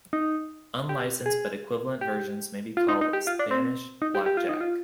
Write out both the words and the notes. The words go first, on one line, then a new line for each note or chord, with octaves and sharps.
Unlicensed, but equivalent, versions may be called Spanish blackjack.
D#4
G4
G#4
G4
F4
D#4
D#4
G4
F4
D4
C4
D#4
G4
G4
F4
D#4
F4